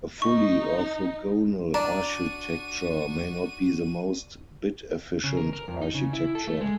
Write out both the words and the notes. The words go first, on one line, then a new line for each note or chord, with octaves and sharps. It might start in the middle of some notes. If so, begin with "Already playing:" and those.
A fully orthogonal architecture may not be the most "bit efficient" architecture.
D#4 C#6
D4 F#4 D5 A#5 D#7
C#3
A#4
A#4
F2
D#4
C#3
E4
A4
A3
G#3